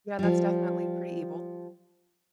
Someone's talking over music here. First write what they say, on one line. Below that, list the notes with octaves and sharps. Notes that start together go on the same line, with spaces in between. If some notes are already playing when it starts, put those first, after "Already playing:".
Yeah, that's definitely pretty evil.
F3 G3